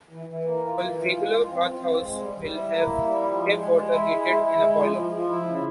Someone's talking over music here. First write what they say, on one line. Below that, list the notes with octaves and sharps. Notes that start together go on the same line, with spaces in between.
A regular bathhouse will have tap water heated in a boiler.
E3
E3
A#3
F4
E3
F4
G#3
F4
C4
F4
C4
G#3
G3
G3
E4
A#3
E4
G3
F3
G#3
G#3
G#3
E4
G#3
E4
E4
G#3
F3
F3
F3
E4
C#3